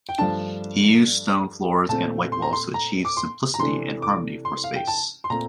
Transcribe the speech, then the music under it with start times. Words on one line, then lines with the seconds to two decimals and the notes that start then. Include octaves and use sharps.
He used stone floors and white walls to achieve simplicity and harmony for space.
0.09 G5
0.18 G2 F3 A3 D4 A5
1.89 A#2 A3 C4 A5
2.32 C6
2.42 A#5
2.53 C6
2.74 A#5
3.05 D6
3.17 C6
3.54 A#5
3.60 C3 E3 A3 D4 C6
4.02 D6
4.45 C6
4.64 F5
4.76 G5
4.87 A5
5.24 C6
5.30 A#2 A3 C4 A#5